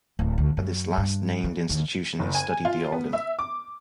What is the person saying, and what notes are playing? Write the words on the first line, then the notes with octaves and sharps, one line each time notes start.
At this last-named institution, he studied the organ.
D1
D2
F#2
G2
E3
D#2
F#1
G#5
F4
B3
E5
D6